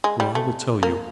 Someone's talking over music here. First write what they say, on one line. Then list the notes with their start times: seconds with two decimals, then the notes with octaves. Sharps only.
Well, I will tell you.
0.04 G#3
0.20 G3
0.35 A3
0.83 A#3